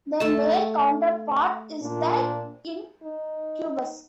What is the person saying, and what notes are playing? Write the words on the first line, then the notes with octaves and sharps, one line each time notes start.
The male counterpart is the incubus.
A3 A5
A#2 D4
D#4